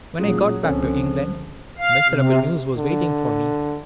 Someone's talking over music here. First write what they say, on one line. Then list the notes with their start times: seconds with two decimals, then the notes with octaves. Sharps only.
When I got back to England, miserable news was waiting for me.
0.20 A#2 F#3 G#3 C#4 F4 G#4
0.63 C#2 D3 F3 C4 C#4 A4
1.78 F5
2.08 C3
2.78 D3